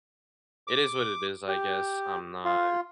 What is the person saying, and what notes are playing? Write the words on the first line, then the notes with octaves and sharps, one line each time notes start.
it is what it is, I guess, I'm not
D6
G4
F4